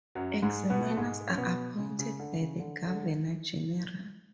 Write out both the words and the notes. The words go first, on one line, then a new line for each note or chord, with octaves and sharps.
Examiners are appointed by the Governor General.
F#2 F#3
G#2 G#3
B2 B3
A3
G#2 G#3
C#4
B2 B3
C#3
C#3
D3
C#3
D3
D3